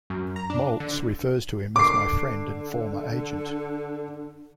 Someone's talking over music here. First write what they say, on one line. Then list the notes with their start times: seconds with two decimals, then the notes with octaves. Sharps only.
Maltz refers to him as my friend and former agent.
0.10 F#2
0.36 A#5
0.50 D4
0.80 D3
1.76 D3 D6 C7